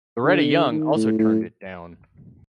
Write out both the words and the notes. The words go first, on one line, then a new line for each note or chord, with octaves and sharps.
Loretta Young also turned it down.
D3
D#3
A2
A2